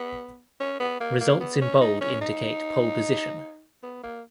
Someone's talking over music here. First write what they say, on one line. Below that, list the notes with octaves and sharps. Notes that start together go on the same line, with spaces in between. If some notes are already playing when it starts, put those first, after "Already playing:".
Results in bold indicate pole position.
Already playing: B3
C#4
B3
A#3
A#3
B3
C#4
D#4
C#4
D#4
B3
A#3